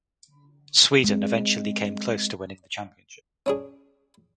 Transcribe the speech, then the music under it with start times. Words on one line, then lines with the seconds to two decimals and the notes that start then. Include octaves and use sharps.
Sweden eventually came close to winning the championship.
1.04 G#3 C4
3.46 C#4 D4 G#4